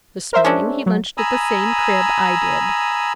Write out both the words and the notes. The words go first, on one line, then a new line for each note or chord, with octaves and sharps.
This morning he lunched at the same crib I did.
A#4 C5 E5
G#3 C#4 D4
F#3
G#5 A#5 B5 D#6 E6